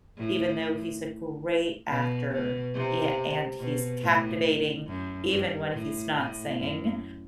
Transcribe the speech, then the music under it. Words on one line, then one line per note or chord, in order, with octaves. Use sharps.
even though he's a great actor, yeah, and he's captivating even when he's not singing,
A2
B2
B2
C3
B2
A2
F#2
G2
A2
A2
F#2